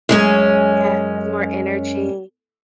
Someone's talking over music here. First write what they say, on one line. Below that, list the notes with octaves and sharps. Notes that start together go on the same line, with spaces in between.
Yeah, have more energy.
F#2 G#3 C#4